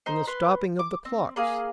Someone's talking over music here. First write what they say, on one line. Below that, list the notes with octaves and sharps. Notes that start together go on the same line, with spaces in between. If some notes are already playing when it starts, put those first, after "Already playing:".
And the stopping of the clocks?
D#4 C5
B4 C6
D6
C4
A#3 G#4 F5